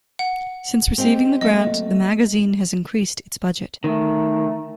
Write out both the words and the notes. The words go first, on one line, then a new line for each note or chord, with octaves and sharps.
Since receiving the grant, the magazine has increased its budget.
F#5
G#3 C4 G4 G5
F#3 A3 A#3 D#5
D#3 A3